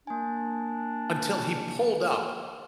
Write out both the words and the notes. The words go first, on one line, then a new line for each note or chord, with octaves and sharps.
until he pulled up?
A#3 D4 G#5